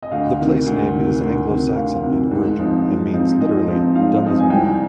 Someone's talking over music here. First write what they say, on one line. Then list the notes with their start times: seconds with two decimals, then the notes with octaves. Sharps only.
The place name is Anglo Saxon in origin, and means literally "Dunna's moor".
0.02 D#5
0.11 D2 F5
0.39 C3 D#3
0.66 D2
0.94 C3 D#3
1.21 D2
1.49 C3 D#3
1.75 D2 F5
2.03 C3 D#3
2.31 G#2
2.58 F3 C4 D#4
2.86 G#2
3.13 F3 C4 D#4
3.40 G#2 D#5
3.68 F3 C4 D#4
3.95 G#2 F5
4.23 F3 C4 D#4
4.39 G#5
4.50 C2 G5